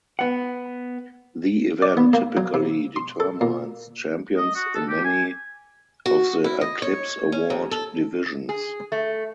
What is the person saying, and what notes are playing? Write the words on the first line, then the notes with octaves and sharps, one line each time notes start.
The event typically determines champions in many of the Eclipse Award divisions.
B3 F#5
D5
B3
A#3
F#3
C3
C6
A4
A#2
D#5
F#4
A4
G4
G#5
F#4
E4
D#5
C#5
C#4
D#2
A4
G#4
A3